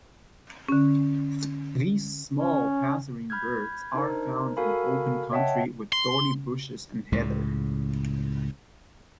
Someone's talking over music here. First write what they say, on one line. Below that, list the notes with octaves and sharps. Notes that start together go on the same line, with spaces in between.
These small passerine birds are found in open country with thorny bushes and heather.
D3 C#4
C#4
B5 F6 G6 G#6
D4 D#4 A#4 C5
F#4 A4 A#4 F5 G#5 B5
C#5 D#5 E5 F#5 G5 A5
C6
C#2 A2 C#3